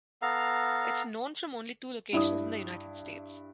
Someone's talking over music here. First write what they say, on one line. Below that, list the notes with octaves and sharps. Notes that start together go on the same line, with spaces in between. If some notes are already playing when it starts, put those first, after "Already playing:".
It is known from only two locations in the United States.
B3 A4 F5 A#5
G2 E4 D5 D#6